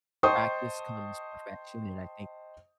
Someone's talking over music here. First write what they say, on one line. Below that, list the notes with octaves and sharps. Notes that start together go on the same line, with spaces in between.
practice comes perfection, and I think,
C5 D#5 G5 A5 C#6 D#6